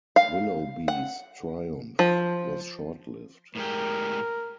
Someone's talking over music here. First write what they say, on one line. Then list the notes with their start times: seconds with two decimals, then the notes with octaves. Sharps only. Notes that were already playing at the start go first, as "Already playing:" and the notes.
Willoughby's triumph was short-lived.
0.16 F5
0.88 F#5
1.99 F3
3.55 A2 G#3 G4 A#4